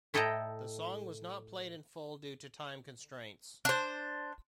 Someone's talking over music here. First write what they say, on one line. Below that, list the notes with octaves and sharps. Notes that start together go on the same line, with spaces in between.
The song was not played in full due to time constraints.
A2 E4 A4 D#5 G5 A#5
D4 C5